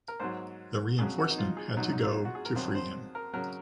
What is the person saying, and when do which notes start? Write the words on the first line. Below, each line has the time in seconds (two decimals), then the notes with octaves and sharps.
The reinforcement had to go to free him.
0.08 A#4
0.20 G#2 F#3 C5
0.99 F2 C#3 F#3 G#4
1.18 F#4
1.30 D#4
1.38 F4
1.57 G#4
1.77 G#2 F#3 D#4
1.92 D#4
2.03 F4
2.25 F#4
2.35 G#4
2.45 A#4
2.55 F2 D#3 F#3 C5
2.75 C5
3.15 A#4
3.33 C#3 F#3 A#4